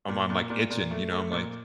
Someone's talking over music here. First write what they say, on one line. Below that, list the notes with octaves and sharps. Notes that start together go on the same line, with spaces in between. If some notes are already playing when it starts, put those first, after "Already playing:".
I'm I'm like itching, you know? I'm like
A#2
A#2
A#2
A#2
A3
A3
A#2